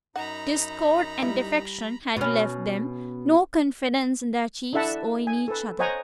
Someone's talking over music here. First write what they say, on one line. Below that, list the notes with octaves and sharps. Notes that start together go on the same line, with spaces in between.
Discord and defection had left them no confidence in their chiefs or in each other.
F#2 D#4 F#5 A#5 B5
G3 E4
B2 C#4
D4 E4 A4 E5 F#5 A5
G#5
A4 B4
C5 C#5 D#5 F#5 G#5 A#5